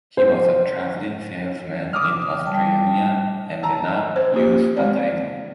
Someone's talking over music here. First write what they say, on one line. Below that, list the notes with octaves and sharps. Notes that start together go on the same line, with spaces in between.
He was a travelling salesman in Australia and did not use the title.
C5
D6 D#6 F6
G3 G5 A5
A5 A#5 E6
C5
A#3 G4
G#3 C4 D5